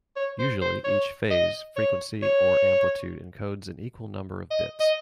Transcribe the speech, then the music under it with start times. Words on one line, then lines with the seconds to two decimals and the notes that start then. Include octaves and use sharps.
Usually, each phase, frequency or amplitude encodes an equal number of bits.
0.16 C#5
0.39 C5
0.61 C5
0.85 C#5
1.31 D#5
1.77 C#5
2.22 C#5
4.51 D#5
4.80 D#5